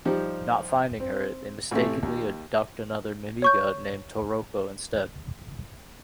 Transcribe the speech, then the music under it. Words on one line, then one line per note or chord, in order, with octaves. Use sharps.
Not finding her, they mistakenly abduct another Mimiga named Toroko instead.
F3 G3 D#4 G4
C4
A1 C3 A3
D#2
C#5 C#6 G6